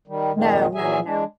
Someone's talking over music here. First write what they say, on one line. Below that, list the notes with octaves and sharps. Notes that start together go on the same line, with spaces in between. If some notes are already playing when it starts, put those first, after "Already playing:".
No. No, no, no.
D#3 G3
F2 A#2 D#3 G#3
A#2 E3 F#3 G#4 E5 G#5
G#3 D4